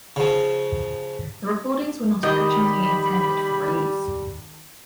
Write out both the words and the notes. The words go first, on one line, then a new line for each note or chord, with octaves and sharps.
The recordings were not originally intended for release.
C#3 F3
D#3 G3 G4 D#5 G5 B5